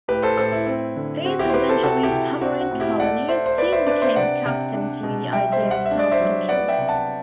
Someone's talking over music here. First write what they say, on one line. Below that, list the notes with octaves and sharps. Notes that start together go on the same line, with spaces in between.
These essentially sovereign colonies soon became accustomed to the idea of self-control.
A2 G4 B4
A4 C5
A2 A4 C5
E4
C4
D3
C4 F#4
E4 G4
C5
C4 G4 B4
A4 C5
C3 F#4 A4
E4 G4
C3
C4 F#4
F#4
A2
E4 G4
A3 D5 F#5
A3 C5 E5
C5
B3 B4 D5
C5 E5
D4 B4 D5
C5 E5
C3 D5 F#5
C3
D4
B2
G3 E5 G5
C5 E5
G3
F#5
E5
D4
D5
C5 E5
F#3
B3 D5 F#5
E5 G5
C3
F#5 A5